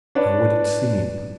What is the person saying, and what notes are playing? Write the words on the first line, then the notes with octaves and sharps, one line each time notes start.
How would it seem?
D4 B4 C#5 D5